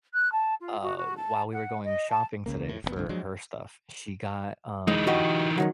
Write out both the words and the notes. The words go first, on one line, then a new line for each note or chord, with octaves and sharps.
uh, while we were going shopping today for her stuff, she got, um
F#6
A5
F4
F#4
F#4
A5
F#5
D#5
A5
C#2 C#3 A#3
A2
F1 C3 B3
C2 G2 D3
F3 F#3 G#3 D4
E3 G#3 D#4
F#4 G4 D#5
F#2 D#3 F#3